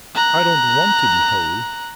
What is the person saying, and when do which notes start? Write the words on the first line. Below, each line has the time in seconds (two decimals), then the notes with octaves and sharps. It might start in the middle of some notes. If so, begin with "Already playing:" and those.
I don't want to be holy.
0.15 A#5 F#6